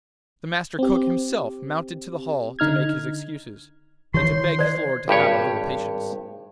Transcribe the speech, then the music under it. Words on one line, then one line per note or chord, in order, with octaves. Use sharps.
The Master Cook himself mounted to the hall to make his excuses, and to beg his lord to have a little patience.
C4 G4
D3 D#4 F6 G#6
D#3 E3 G4 C#5 C6
C5 D5
G#1 G2 G4 C#5